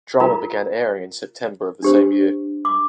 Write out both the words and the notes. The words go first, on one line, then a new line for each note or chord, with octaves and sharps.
The drama began airing in September of the same year.
F4 A#4 A#5
D4 G4 C5
D6